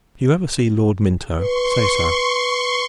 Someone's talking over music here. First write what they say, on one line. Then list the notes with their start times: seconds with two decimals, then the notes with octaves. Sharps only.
If you ever see Lord Minto, say so.
1.39 B4 C6 C#6